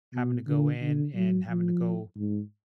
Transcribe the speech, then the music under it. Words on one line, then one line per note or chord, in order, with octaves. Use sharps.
having to go in and having to go,
B2
D3
D3
F#3
F3
G#2